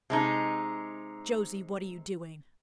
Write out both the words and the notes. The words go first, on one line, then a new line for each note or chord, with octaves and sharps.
"Josie, what are you doing?"
C3 G#3 D#4